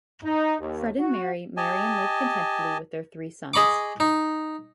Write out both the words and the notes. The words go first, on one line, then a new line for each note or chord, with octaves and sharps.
Fred and Mary marry and live contentedly with their three sons.
D#4
D#2
F#4
G4 D#5 G#5 A5
G#4 D#5 B5 C#6 D6
D#4